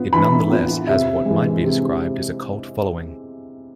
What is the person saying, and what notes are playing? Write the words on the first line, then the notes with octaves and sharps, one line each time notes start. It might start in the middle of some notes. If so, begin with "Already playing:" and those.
It nonetheless has what might be described as a cult following.
Already playing: B3 F4
E3 B5
B3 F4
C3 E5
E3 G#3
C3